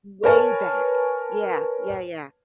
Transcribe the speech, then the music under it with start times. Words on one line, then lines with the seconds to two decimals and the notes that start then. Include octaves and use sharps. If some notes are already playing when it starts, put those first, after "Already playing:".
Way back. Yeah. Yeah, yeah.
0.24 A#4 B4 C#5 G#5 A5